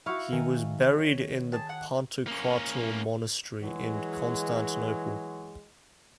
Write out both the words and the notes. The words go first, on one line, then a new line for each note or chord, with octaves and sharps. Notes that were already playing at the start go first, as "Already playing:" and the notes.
He was buried in the Pantokrator Monastery in Constantinople.
E4 F#4 F5 C#6
D#3 A#4 G#5
C#5
G#4 A5
F#5
A#3 C#4
E3 F#3 G#3